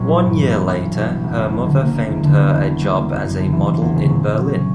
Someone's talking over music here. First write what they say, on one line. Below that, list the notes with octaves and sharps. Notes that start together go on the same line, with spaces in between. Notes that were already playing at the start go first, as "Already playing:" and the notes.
One year later her mother found her a job as a model in Berlin.
Already playing: A#1 A#2 F#3
E4
G2
E3
B3
B1
B1
B2
G3
F#1
F#1
E2
D3
A#3
F#1
E2
D3
B3
E2
C#3
G3
A#3
F#1
F#2
D3
E3
E1
E2
C#3
A#2
A#2
F#3
C#4